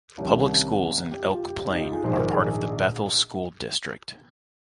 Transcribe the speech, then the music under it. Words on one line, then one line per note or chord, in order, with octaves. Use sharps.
Public schools in Elk Plain are part of the Bethel School District.
C2 C3 D#3 C#4
G4
F4
G4
G4
D#4
G4
F4
G#4
A#1 G#2 D#3 C5
A#4
G#4